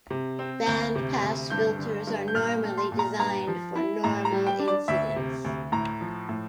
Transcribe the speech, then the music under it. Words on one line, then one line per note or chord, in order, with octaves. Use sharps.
Bandpass filters are normally designed for normal incidence.
C3
C4
D2 G6
C3
D2
G2 G6
D3
G2
G6
A#2 F6
A3
C6
A#2
A#5
G2 A#5
F3
E4
A2 A#5
A#5
G3
G5
D4
D5
D2 E5
C3
D2
A2 A#5
F3
A2